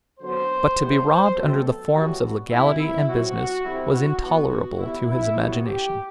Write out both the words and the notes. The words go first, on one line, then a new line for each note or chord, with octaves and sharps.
But to be robbed under the forms of legality and business was intolerable to his imagination.
D3 F#3 B3 C5
A2 E3 G3 B3 C5
C5
B2 F#3 A3 C4 A4
A2 E3 G3 B3 F#4
C3 E3 G3 B3 E4
E4
B2 F#3 C4 F#4
F#4
D3 G3 C4 E4
F#4
E3 B3 F#4
A2 G3 B3 E4
E4
A2 G3 B3 F#4
G4